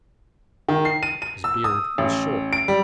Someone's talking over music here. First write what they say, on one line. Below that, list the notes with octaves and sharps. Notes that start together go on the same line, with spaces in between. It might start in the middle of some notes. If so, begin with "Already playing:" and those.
His beard was short.
D#3
C7
D#7
D#7
E6
D#6
A1
D7
G3